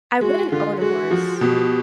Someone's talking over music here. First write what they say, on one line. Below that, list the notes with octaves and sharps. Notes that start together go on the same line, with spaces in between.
I wouldn't own a horse,
G#3 F#4
D3 F4
G#3 F#4
F3
B2 G4